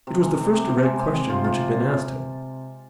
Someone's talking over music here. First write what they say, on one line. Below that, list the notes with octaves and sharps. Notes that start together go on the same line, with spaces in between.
It was the first direct question which had been asked him.
C3
G#3
C3
C3
C3
G#3
C3
C3
F4
F4